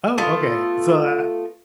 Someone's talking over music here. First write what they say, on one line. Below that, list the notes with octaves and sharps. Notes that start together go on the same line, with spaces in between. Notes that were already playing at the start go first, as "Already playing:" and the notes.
Oh, okay, so, uh
A3 B3 F4